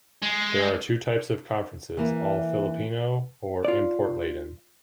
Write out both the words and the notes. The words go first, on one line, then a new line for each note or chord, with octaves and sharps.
There are two types of conferences: All-Filipino or import-laden.
G#3
E3 A#3 E4
F4 D5